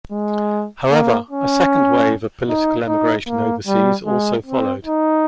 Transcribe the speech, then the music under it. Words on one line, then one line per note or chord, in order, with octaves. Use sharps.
However, a second wave of political emigration overseas also followed.
G#3
A#3
C#4
D#4
D#4
A#3
G3
G#3
C4
D#4